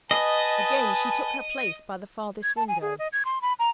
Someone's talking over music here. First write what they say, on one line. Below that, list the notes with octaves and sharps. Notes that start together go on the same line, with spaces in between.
Again she took her place by the farthest window.
B4 D#5 G#5 A5
G#6
A5
G#5
G#4
D#5
G#6
C6
B5
A#5